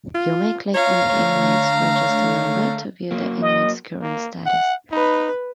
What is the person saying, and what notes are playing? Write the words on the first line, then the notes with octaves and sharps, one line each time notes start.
You may click on the inmate's Register Number to view the inmate's current status.
F4
F4 C#5 F5 A#5
D3 A3 C#5
C#5
F#3 A#3
D#5
A#3
F#5
D#4 B4 B5